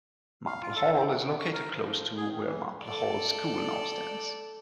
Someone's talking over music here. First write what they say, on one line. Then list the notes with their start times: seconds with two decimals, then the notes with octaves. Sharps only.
Marple Hall is located close to where Marple Hall School now stands.
0.46 F5
0.62 F4
0.76 A4
0.92 C4
1.05 A2
1.28 B3
1.39 C#6
1.53 A#4
1.73 F3
2.17 G#4
2.30 D#3
2.45 E3
2.83 A4 D5